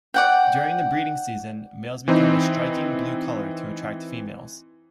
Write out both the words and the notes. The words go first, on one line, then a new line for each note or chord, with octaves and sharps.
During the breeding season, males become a striking blue colour to attract females.
D5 F#5 G5
E3 C4 D#4